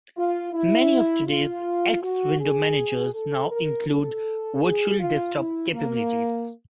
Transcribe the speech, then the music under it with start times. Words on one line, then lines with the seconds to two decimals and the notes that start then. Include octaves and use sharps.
Many of today's X window managers now include virtual desktop capabilities.
0.17 F4
0.53 E4
1.27 F4
2.02 F#4
2.40 G#4
3.13 A4
3.50 A#4
3.88 A4
4.62 G#4
4.99 F4
5.36 E4
5.73 A#3